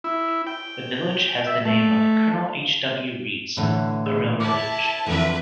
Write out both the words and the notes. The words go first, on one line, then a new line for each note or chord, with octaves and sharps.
The village has the name of Colonel H. W. Rives, a railroad official.
E4
G5
E5
A3
A2 D3 E3
G#4
E4 A5 D6
F2 D3 E3 B4 E5